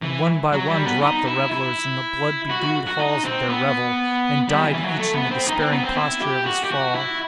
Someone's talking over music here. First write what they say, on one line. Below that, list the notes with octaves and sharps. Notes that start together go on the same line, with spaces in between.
And one by one dropped the revellers in the blood-bedewed halls of their revel, and died each in the despairing posture of his fall.
E3
F#3
G3
B3
D#4
E4
E4
F#4
F#4
F#4
D#4
C4
B3
G3
E3
E3
F#3
A3
B3
C4
D#4
C4
B3
C4
E4
G4
F#4
G4
F#4
E4